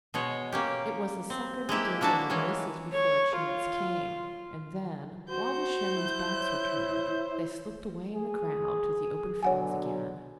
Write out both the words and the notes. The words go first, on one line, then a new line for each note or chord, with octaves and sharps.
It was the second day of the races before a chance came, and then, while the showmen's backs were turned, they slipped away in the crowd to the open fields again.
B2 G#3 C#5
A#3 C#4 G4
C4
G#3 A#3 E4 G4
A#3 D4 E4 F#4 A5
E3 G#3 C#4
C#5
F4
F#4 C5 G6
E4
C#5
G#4
B2 D3 F#3 C#5 F#5 G#5